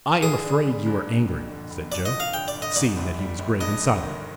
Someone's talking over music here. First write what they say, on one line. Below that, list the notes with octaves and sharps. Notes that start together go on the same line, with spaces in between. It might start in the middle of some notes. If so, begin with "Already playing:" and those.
"I am afraid you are angry," said Joe, seeing that he was grave and silent.
D3 G#4
D4
G3
G2
F2
F1
D3
F1
G2 D5
D#5
F3
F5
D3 G5
D5
G1
D#5
G#2 D5
A#1
G3
A#1
G2 D#5
G1
D#3